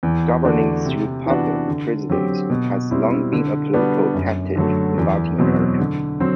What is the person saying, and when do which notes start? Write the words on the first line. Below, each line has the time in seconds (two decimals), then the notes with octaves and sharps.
Governing through puppet presidents has long been a political tactic in Latin America.
0.03 E2
0.45 D3 A3 D4 F#4
0.85 C3
1.26 E3 B3 D4 F#4
1.68 D3
2.10 F#3 C4 G4
2.50 B2
2.91 G3 C4 E4
3.33 D3
3.74 G3 B3 D4 F#4
4.14 F#2
4.56 D3 F#3 A3
4.97 E2
5.38 B2 F#3 C4
5.79 D3
6.20 F#3 C4